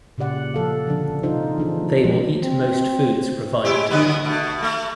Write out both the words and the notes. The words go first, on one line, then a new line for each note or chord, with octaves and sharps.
They will eat most foods provided to them.
A#2 C#3 G4 D5 F#5
F3 A4 F5
D3 F3 D4
C3 F3 D4 D#4 F4 C5
E3 D4 G#4
F3 G#3 G4
C4
G#3 E4 G4
D3 B3 B4
B2 A3
A3